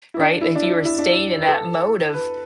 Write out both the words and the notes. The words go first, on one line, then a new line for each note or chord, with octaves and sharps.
right? If you are staying in that mode of
E4
D4
E4
D4
E4
E4
D4
E4
B4
A4
B4